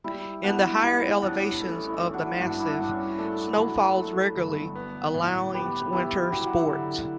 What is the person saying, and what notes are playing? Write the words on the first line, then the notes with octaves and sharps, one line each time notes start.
In the higher elevations of the massif, snow falls regularly, allowing winter sports.
G3 E4
B3 D4 F#4
G3 E4
A1 D4
A3 C#4
E4
A1
D4 F#4
G2 D4 F#4
E4
D4
G2
C#4
A3 D4
F#3
A3
G1
B3
A2
B3 G4 B4
B3 E4 G4
F#3 G4
F#4
E4 G4
D3